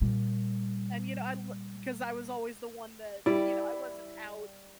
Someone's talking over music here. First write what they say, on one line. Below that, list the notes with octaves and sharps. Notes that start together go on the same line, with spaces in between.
And you know, I l 'cause I was always the one that you know, I wasn't out,
A#2 G3
G3 E4 D5